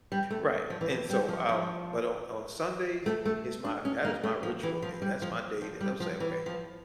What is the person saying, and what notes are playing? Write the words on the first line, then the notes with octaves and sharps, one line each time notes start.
Right and so, um, but on on Sundays, it's my that is my ritual day, that's my day that I'll say, "Okay,
G3
A3
F3
E3
F3
G3
F3
F3
A3
A3
D4
C#4
A#3
A3
F3
E3
F3
G3
F3
F3
G3
F3
E3
F3